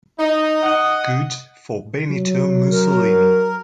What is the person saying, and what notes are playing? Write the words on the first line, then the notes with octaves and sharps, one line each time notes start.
Good for Benito Mussolini.
D#4
D#5 F#5
F#3
A#4